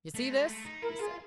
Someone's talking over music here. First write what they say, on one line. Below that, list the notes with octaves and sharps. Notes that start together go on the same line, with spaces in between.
"You see this?" he said.
A3
G#3
A3
D#4
E4 A#4
F4 G#4